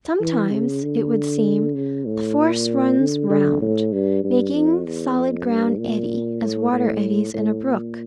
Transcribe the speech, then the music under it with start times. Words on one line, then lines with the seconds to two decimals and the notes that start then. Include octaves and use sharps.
Sometimes, it would seem, the force runs round, making the solid ground eddy, as water eddies in a brook.
0.20 E3
0.50 C#3
0.83 D3
1.76 C#3
2.06 A2
2.37 A#2
2.99 D3
3.30 D3
3.62 A2
3.93 G2
4.24 G2
4.54 F2
4.86 E2
5.16 F2
5.47 G2
5.79 A#2
6.41 A2
6.72 A2
7.34 A2
7.64 A#2